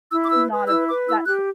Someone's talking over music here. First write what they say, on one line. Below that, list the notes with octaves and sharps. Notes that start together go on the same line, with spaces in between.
not a that's
E4 E6
D6
B4 E6
B4
E4 E6
B4 D6
E4 E6
G4 F#6